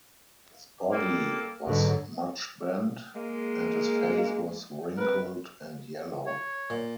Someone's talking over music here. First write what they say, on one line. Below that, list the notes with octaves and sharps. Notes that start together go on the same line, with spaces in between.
His body was much bent, and his face was wrinkled and yellow.
G3 A#3 A4
G#2 B2 D3 F#3
G#3 A#3
C4 A#4 B4
C#5
A#2